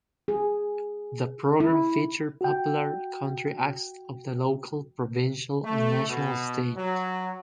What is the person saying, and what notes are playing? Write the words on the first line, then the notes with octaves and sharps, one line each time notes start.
The program featured popular country acts of the local, provincial and national stage.
G#4
E4
F#4 G5
A3
B2
F#3